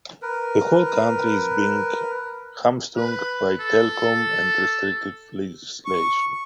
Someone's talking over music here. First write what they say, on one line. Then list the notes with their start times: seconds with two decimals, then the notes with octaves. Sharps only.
The whole country is being hamstrung by Telkom and restrictive legislation.
0.22 A#4 B4
2.96 B4
3.60 A4
5.85 C#6